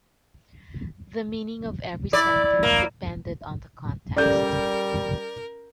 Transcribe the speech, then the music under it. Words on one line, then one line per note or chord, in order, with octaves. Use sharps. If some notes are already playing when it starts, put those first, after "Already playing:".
The meaning of every sentence depended on the context.
E4 D5
E4
A#3
G3 C#4 G4 A4 A#4 D5 G6